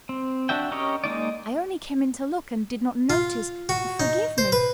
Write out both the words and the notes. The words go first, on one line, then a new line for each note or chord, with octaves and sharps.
"I only came in to look and did not notice... forgive me..."
C4
D4 F#4 E5 G5
C#4 G4 A#4 C#5 D#5
G#3 A#3 D#4 D5
F4
F#4
D#4
C5
B4